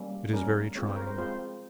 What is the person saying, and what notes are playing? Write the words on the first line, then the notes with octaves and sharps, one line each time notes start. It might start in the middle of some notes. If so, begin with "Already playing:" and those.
It is very trying.
Already playing: G3 A#3 C#4
G3 A#3 C#4 A#4
G#3 C4 F4 C#5
C5
A#4
C5
G#3 C4 F4 C5